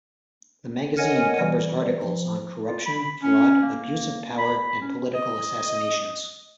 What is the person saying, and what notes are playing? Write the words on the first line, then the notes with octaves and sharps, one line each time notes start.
The magazine covers articles on corruption, fraud, abuse of power and political assassinations.
A#4 C#5 D#5 F#5 G#5
E3 G3
F3
F4
B5
C#4
A#3
B5
C#4
D#5